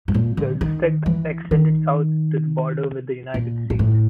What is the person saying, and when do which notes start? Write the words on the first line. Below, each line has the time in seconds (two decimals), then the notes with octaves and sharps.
The district extended south to the border with the United States.
0.08 A2
0.14 A#2
0.37 D3
0.61 D#3
1.06 E3
1.51 D#3
3.34 A#2
3.70 A#2
3.79 A2